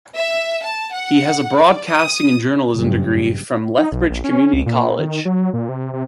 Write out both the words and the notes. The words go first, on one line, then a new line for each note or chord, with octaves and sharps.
He has a broadcasting and journalism degree from Lethbridge Community College.
E5
A5
F#5
D5
D#6
F#1 G2
D#4
B1
A#1
C#4
C#2
A#2
D#3
F#3
A#2
C3
C3